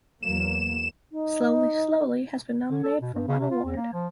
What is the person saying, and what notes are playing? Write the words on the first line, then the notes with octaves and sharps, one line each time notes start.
Slowly Slowly has been nominated for one award.
E2 F#3 A#3 E7
D#4
D3
A4
B2
G2
C#3
C3
F4
E2
A#3
F3